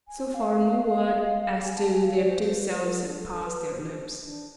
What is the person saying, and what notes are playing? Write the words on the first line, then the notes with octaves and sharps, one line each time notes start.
So far, no word as to their two selves had passed their lips.
G#5
F5
G#5
A5
G#5
F5
D5
C5
C5
B4
B4
A4
D4
A4
B4
C5
D4